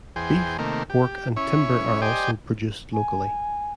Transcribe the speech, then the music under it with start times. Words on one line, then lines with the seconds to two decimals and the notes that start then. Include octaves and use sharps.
Beef, pork and timber are also produced locally.
0.16 E2 G#4 C5 G5
0.58 C3 D#3 A3 A#3
0.90 G4
1.37 C#4 E4 C#5
2.02 G4 C5 D5 D#5 G5 G#5
2.93 G#5